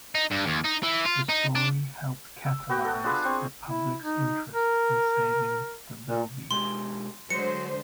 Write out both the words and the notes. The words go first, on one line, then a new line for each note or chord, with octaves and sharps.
The story helped catalyse the public's interest in saving the bilby.
D#4
G2
D#2
D#4
E3
F4
D#4
D4
E6
B3 F#4 F#5 G5
A4
D4 F4 G#4 B4
C4 C#6
E4
D#4
A#4
A#2
B2 G#3 G4 C6
D3 F#3 G#3 C5 C#7